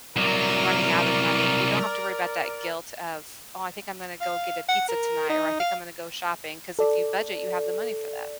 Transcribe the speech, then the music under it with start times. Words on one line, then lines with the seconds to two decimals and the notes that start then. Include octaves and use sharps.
running out of money, and you don't have to worry about that guilt of, "Oh, I think I'm gonna go get a pizza tonight," or, "I think I'm gonna go shopping," 'cause if you budget, you have the money for that.
0.16 C2 F#3 A#4 D5
4.21 F5
4.68 F#5
4.88 A#4
5.29 D#4
5.60 F5
6.79 A4 D5